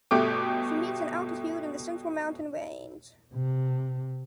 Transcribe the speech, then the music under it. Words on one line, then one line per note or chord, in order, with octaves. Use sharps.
She meets in altitude in the Central mountain Range.
G1 B2 A3 G4 D6
C3